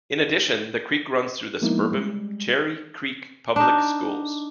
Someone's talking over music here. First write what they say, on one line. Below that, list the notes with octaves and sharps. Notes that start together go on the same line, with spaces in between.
In addition, the creek runs through the suburban Cherry Creek Public Schools.
F3 G#3 A#3 B3 D#4 E4
G3 G#3
D4 D#4